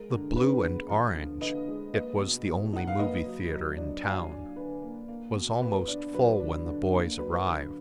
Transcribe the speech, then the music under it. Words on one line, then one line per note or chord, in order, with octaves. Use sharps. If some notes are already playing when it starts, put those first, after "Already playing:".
The Blue and Orange--it was the only movie theater in town--was almost full when the boys arrived.
Already playing: G#3 A#4
D3
D3 B4
B3
F3
D3
D3 B4 D#5
G#3
A#3 B4 D#5
B2
B2
D#4 F#5
F5
A#3 B4 D#5
F#3
F#3
D4
F#3 F5 G#5
D4
D3 B4
A#3
A#3
B2
B2 B4
D4
F#3 B4
D4
D3
A#3
F#3 B4
D3